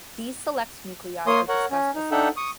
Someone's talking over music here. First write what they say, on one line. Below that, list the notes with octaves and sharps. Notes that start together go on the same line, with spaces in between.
These select nuclei are discussed as follows.
A#3 C#5 C6 D#6
A#4 C#5 F#5
C#4
D#4
D4 D#4 A4 E5 F#5 G5
C#6 D#6